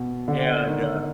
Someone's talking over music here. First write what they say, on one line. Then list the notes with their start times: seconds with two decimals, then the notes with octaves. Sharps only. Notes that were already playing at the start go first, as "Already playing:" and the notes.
and, uh,
Already playing: B2
0.28 D3
0.68 D#3